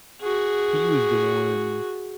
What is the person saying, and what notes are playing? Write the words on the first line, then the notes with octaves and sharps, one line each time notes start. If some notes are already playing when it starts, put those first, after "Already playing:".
he was the one
F#4 G#4